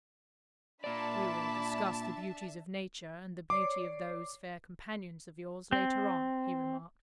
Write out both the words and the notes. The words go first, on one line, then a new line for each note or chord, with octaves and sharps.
"We will discuss the beauties of nature and the beauty of those fair companions of yours later on," he remarked.
A#2 D4 D5 E5 A5 B5 D6
C#5 D5 D6 C7
C4